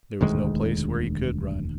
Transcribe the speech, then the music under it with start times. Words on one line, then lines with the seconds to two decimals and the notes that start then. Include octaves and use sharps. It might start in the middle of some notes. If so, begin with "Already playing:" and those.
There was no place where he could run.
0.21 E1 D2 D#3 G#3